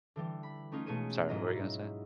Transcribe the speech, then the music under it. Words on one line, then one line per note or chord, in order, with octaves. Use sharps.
Sorry, what were you gonna say?
D3 E3 G3
B5
A3 C#4 D#4 F4
B2 G#3 A3 C#5 D#7
G#2 F#3 E4 F4 D#5 A#5